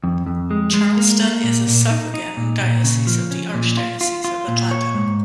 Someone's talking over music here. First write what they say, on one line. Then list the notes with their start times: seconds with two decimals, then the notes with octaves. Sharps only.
Charleston is a suffragan diocese of the Archdiocese of Atlanta.
0.04 F2
0.26 F2
0.51 G#3
0.73 G#3
0.97 A#3
1.21 A#3
1.44 A#2
1.67 A#2
1.91 D#4
2.14 D#4
2.37 A#2
2.61 A#2
2.84 C#3
3.07 F3
3.31 C#4
3.54 A#2
3.77 F4
4.01 F4
4.24 F4
4.48 A#2
4.71 C#5
4.94 G#2